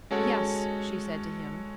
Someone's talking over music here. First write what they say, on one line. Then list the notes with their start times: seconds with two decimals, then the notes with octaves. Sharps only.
"Yes," she said to him.
0.11 G#3 C#4 F#4 A4 C#5 F#5